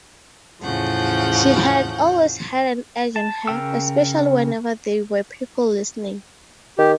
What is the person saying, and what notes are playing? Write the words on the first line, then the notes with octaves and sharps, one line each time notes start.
She had always had an edge on her, especially whenever there were people listening.
E2 A2 C#3 F3 F#5 G6
A5
C#3 A#4 G5 E6
D#3 G4